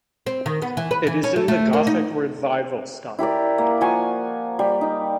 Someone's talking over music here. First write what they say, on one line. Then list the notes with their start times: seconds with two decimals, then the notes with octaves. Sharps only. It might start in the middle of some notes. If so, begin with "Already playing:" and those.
It is in the Gothic Revival style.
0.26 C4
0.46 D#3
0.62 B3
0.77 E3
0.91 B4
1.07 E3
1.23 C#4
1.36 A3
1.48 A3
1.73 A#3
1.87 D#4
3.19 E4 G4 A#4 D5
3.58 A#3
3.81 F3 F#5 G#5 C#6
4.59 G3
4.81 D#4